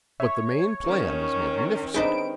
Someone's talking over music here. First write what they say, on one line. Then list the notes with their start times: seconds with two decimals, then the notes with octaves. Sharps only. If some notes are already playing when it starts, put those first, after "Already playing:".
But the main plan is magnificent.
0.20 C#5 E5
0.85 D#3 C#4
1.94 C4 D4 D#4 G#4 B4 G5 D7